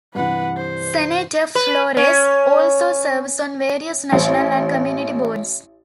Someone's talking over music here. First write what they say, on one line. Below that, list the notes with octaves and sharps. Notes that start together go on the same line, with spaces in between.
Senator Flores also serves on various national and community boards.
G2 C3 E3 B4 F#5
C5
B4
C#4
A1 C5